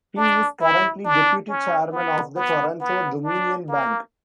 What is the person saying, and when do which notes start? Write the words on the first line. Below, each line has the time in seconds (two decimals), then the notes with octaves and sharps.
He is currently Deputy Chairman of the Toronto-Dominion Bank.
0.17 D4
0.61 E4
1.05 D4
1.49 C#4
1.92 B3
2.36 B3
2.80 B3
3.24 D4
3.68 A#3